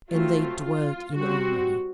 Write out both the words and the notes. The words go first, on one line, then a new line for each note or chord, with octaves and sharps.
And they dwelt in harmony.
F#3 A3 C4 F4
F4
G3 C4 F#4